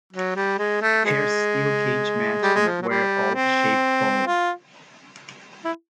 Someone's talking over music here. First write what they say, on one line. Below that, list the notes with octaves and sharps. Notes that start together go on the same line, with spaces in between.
Hairs steel cage match and were all shaved bald.
F#3
G3
G#3
A3
G#3
G3
G#3
F3
F#3
G3
C4
F4
E4